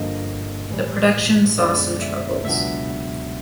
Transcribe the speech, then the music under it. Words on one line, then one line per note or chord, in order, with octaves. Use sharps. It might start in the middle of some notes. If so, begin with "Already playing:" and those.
The production saw some troubles.
Already playing: G1 G2 D3 F3 A#3 D#5
A2 E3 G3
F#2 D3 F3 G#3 B3 D5
E5
C#2 B2 F#3 B3 D4 E5